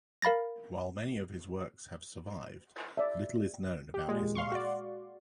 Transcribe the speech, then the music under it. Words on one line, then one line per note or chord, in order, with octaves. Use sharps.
While many of his works have survived, little is known about his life.
A#4 F5 B5 A6 A#6
D5 E5
G4
A#2 G#3
F5 C6 C#6
F#4 D5